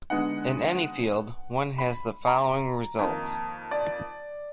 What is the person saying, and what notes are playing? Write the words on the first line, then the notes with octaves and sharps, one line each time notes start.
In any field, one has the following result.
D3 G#3 B3 D#4 F#5
B5
A#5
F2 D#3 A#3 D#4
D5